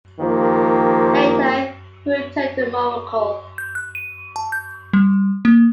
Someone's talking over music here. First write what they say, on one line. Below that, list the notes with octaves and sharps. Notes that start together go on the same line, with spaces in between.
Later he returned to Morocco.
D#3 F3 A#3 G4 C5
G6
F#6
D#7
A5
G6
G3
A#3